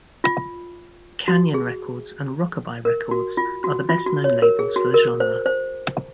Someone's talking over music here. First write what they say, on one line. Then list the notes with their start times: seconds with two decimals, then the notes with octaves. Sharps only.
Canyon Records and Rock-A-Bye Records are the best known labels for the genre.
0.24 F4
1.28 F#4
1.54 G#4
2.85 A#4
3.11 F#4
3.37 F4
3.64 F#4
3.89 F4
4.06 F#4
4.24 C#5
4.42 A#4
4.59 G#4
4.76 F#4
4.94 A#4
5.20 C5
5.46 C5